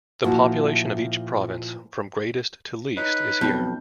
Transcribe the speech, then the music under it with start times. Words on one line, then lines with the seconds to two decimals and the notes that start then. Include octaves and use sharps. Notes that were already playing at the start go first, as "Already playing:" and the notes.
The population of each province, from greatest to least is here.
0.24 A#2 F3 A3 E4 F#4
2.97 D#4 B4 C#5 D#5
3.41 B1 F2 G6